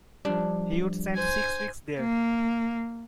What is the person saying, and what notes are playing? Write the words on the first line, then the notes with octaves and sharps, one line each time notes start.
He would spend six weeks there.
F3 G3 D4
C5 G#5
A#3